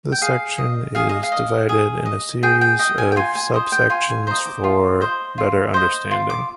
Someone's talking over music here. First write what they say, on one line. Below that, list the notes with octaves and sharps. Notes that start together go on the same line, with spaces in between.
This section is divided in a series of sub-sections for better understanding.
G5
G#4 F5
D#5
G#4 F5
D#5
F5
D#5
G#4
D#5
G#4 G5
G5
D#5 G5
G#5
G5
F4 G#5
G#5
C5 D#5
G5
F4 G#5
G#5
C5 D#5 A#5
D6
F4
C5 D#5
F4
C5 D#5
F4
D6